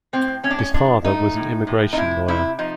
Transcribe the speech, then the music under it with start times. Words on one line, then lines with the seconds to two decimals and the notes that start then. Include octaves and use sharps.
His father was an immigration lawyer.
0.13 A2 C4
0.43 A2 C#4
0.51 D4
0.59 C#4
0.74 F3 D4
1.04 A3 D#4
1.36 A2
1.67 A2
1.93 D#4
1.97 C3 E4
2.28 C3 E4
2.59 F3 D#4